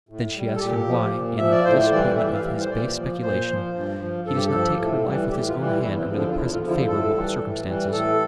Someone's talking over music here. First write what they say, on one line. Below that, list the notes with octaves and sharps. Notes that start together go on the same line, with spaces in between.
Then she asks him, why, in the disappointment of his base speculation, he does not take her life with his own hand, under the present favourable circumstances.
A2
G3
A4
A#2 G4
F3
A#2
F3 E5
D5
A2 C5
E3 G3 D5
A2 E5
F5
E3 G3
C5
A#2 D5
F3
A#2 C5
F3
G2
F3
G2 A4
G4
A4
F3
A2
E3 G3
A2 G4
F4
E3 G3
E4
E2 E4
C4
D3 F3
D4
F4
E2 E4
F4
D3 F3 E4
F4
A2 A4
E3 G3
A2
E3 G3
A2 A4